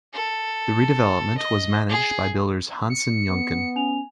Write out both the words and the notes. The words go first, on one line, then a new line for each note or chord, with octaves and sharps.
The redevelopment was managed by builders Hansen Yuncken.
A4
D#5
G#4
C#7
B3
C#4 G#5 F7